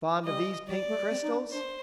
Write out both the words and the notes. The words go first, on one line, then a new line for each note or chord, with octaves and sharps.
"Fond of these pink crystals?"
G3 D#5
G3 D5
A3
C4
D#4
D4
D4 C5